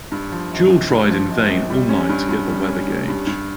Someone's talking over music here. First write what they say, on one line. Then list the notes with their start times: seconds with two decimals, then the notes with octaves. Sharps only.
Juel tried in vain all night to get the weather gauge.
0.12 G2
0.32 F3
0.51 G#1
0.70 G#1
0.90 G2
1.10 F3
1.30 G#1
1.49 G#1
1.70 G3
1.89 C#4
2.09 G2
2.29 G2
2.48 G3
2.68 C#4
2.88 G2
3.08 G2
3.27 G2